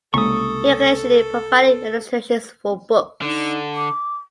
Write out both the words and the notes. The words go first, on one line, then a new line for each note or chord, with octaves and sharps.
He occasionally provided illustrations for books.
C2 C#3 G#3 A#3 A4 C#6 D#6
D3 D#4
D6